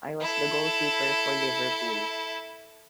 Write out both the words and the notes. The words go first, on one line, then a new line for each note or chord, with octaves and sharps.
I was the goalkeeper for Liverpool.
E4 A4